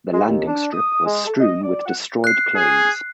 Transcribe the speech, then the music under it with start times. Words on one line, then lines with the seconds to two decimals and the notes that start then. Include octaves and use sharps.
The landing strip was strewn with destroyed planes.
0.13 G#3
0.28 D#2
0.48 D4
0.73 D#6
1.05 G#3
1.27 A4
1.40 D#5
1.63 D5
1.86 F#5
2.24 F#6 C7
2.56 G#4